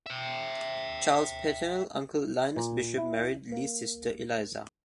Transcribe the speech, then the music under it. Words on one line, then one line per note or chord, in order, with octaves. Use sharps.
Charles' paternal uncle Linus Bishop married Lee's sister Eliza.
E5 G5
A#2
E4
A#3